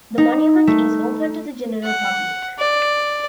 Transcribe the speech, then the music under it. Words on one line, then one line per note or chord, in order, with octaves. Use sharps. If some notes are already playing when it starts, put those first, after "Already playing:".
The monument is open to the general public.
D#4
A3
F#5
D5